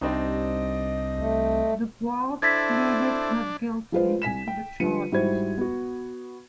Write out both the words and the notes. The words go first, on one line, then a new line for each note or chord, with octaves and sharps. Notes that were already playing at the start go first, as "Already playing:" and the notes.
The guard pleaded not guilty to the charges.
C2 C4 D4 D#4 D#5
A3
D4 E4 A4 C5 G#6 A6 B6
F3 G#3 F4 B4 C5
C2 G#5 B6 E7
G5
D3 F3 G3 B4 C#7 D#7
G#2 G3 E4 F#4 C5 G#6
B3 F#4